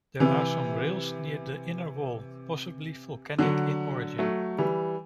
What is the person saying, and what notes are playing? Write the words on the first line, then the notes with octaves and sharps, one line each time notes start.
There are some rilles near the inner wall, possibly volcanic in origin.
C3 E3
D3 F#3
F#3 A3
E3 G3